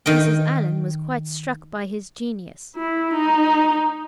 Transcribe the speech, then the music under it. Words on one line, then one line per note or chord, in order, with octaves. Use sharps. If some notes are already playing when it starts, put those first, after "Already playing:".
Mrs. Allen was quite struck by his genius.
D#3 D#5 G5
E4
D#4